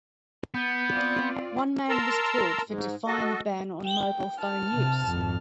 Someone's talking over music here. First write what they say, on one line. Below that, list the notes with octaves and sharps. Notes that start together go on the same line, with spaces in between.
One man was killed for defying the ban on mobile phone use.
B3 G6
C4 F4 D5
A#4 A5 A#5 C6 E6
G#2
F#4 A4 D#5
G5
A5 F6
C3
G#1 F2